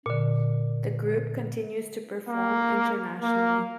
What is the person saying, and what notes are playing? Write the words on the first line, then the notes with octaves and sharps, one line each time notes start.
The group continues to perform internationally.
A#2 D3
A#3
A#3